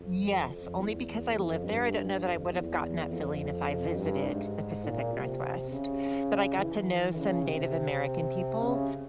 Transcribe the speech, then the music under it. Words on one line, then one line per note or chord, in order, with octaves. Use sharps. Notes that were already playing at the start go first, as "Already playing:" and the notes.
Yes, only because I live there, I don't know that I would have gotten that feeling if I visited the Pacific Northwest, but I got to know some Native American people,
Already playing: F2
F2
E2
F2
G2
F2
E2
F2
G2
G#2
A#2
C3
C#3
E3
C#3
C3
C#3